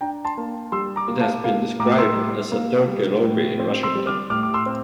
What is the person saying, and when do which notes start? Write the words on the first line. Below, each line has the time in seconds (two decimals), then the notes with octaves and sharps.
It has been described as "a 'Turkey lobby' in Washington".
0.01 D4 G5 A#5
0.25 A5 C6
0.38 A#3
0.72 G3 C6 E6
0.96 A#5 D6
1.08 A#3
1.20 F5 A5
1.44 A#3 F5
1.79 A2 A#5 D6
1.98 C6 E6
2.15 G3
2.52 A#3
2.88 G3
3.23 A2
3.59 C4
3.83 C6 E6
3.95 G3
4.07 D6 F6
4.30 A2 D6 F6
4.43 D6
4.54 C6 E6
4.66 C4